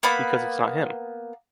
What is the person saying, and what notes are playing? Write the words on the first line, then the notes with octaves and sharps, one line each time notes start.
Because it's not him.
A#3 B3 B5